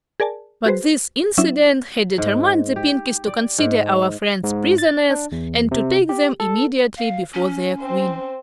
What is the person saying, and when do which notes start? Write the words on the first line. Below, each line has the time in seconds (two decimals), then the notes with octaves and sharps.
But this incident had determined the Pinkies to consider our friends prisoners and to take them immediately before their Queen.
0.20 G#4 A#4 D5 G#5 A5
0.66 F#4 G#4 B4 C5
1.38 F#3 C#4 D4 E4 E5 E7
2.18 G#2
2.76 G4
3.27 D5
3.58 G#2
4.44 G#2
4.78 A6
5.10 D4
5.32 E2
5.71 C3
6.09 G4
6.40 A4
6.97 F5
7.34 C#4
7.79 C4 C5